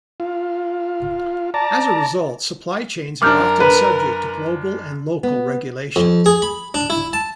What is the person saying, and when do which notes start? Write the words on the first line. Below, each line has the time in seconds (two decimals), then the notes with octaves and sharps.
As a result, supply chains are often subject to global and local regulations.
0.20 F4
1.54 D5 A5 A#5
3.22 F#2 D4 A#4 D6 F6 G6
3.60 B4
5.23 B3
5.96 F2
6.26 G#4
6.42 B5
6.74 D4
6.90 E4
7.13 A5